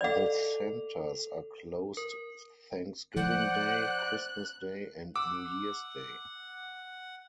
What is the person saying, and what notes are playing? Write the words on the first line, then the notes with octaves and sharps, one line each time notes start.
The centers are closed Thanksgiving Day, Christmas Day, and New Years Day.
A4 D5 D#5 F5 F7
A#4
F3 C5 D5 F#5 F#6
F#5 D6 E6